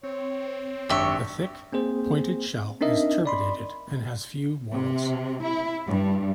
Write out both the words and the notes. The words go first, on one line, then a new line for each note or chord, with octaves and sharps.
The thick, pointed shell is turbinated and has few whorls.
C4 C#5
G#1 F#2 D4 G4 E5 C#6
A#3 C4 G#4 C5
C4 D4 D#4 A#4 D#5 E5
D5 B5 C6
C3
E4
G2